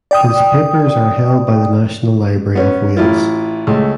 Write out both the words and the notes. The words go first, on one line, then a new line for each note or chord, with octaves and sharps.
His papers are held by the National Library of Wales.
D5 G5 D#6
B3 C#4
A1 E4 F4
C#2 A3